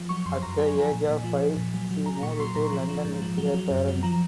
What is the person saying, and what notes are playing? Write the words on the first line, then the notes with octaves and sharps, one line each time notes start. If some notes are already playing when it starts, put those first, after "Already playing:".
At the age of five she moved to London with her parents.
Already playing: F3
F#3 C#6
F#2 C6
F#2 A#5
F#3 G#5
F3
A#2
A#2
F3
A#2
A#2
F#3
F#3
F#3 A#5
A#2 C#6
F#3 C6
A#2 A#5
F3
F3
G#2
F3
F#3
F#3
F#2
F#3
F3 A#5